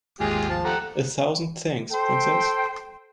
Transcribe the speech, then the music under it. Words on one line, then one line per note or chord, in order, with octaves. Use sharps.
A thousand thanks, Princess.
G#1 D#2 G#3 F4 G4 G#4
F3 A5
A3 G4 F#5 A#5 F#6
A4 C5 G5